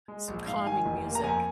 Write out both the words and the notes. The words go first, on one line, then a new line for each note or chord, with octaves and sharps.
some calming music.
G#3
A#1
G#2 F5
D#3 G#5
F1
A#3
A#5
F2 G#5